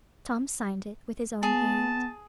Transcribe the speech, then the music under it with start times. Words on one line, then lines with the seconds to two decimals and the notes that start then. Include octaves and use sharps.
Tom signed it with his own hand.
1.43 B3 G#4 A5